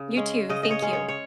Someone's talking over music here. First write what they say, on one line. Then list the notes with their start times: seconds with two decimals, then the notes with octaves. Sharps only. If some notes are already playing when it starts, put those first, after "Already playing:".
You too. Thank you.
Already playing: C#3
0.16 G#3 C#4
0.49 C#3 D#5
0.63 D#5
0.70 C#5
0.82 G#3 C#4
0.93 C#5
1.08 C#5